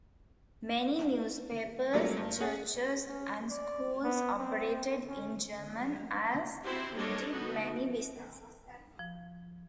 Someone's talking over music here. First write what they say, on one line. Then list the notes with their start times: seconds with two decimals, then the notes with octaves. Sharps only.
Many newspapers, churches and schools operated in German as did many businesses.
1.93 F#3 G3 A3 A#3 C#4
2.16 G2
2.40 C#4 G#4 F#5
3.08 C#4
3.50 D5
4.04 B3
4.39 C4
5.08 C#4
6.65 C4 E4 F#4 G4 C5
6.94 G3 A#3 D4 A4 C#5 D#5
7.32 B3 D#4 F#4 A4
8.99 F3